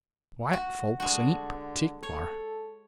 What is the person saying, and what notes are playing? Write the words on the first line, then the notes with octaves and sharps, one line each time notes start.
White folks ain't partic'lar.
F#4
D3 G#3 F#4
A4 C#5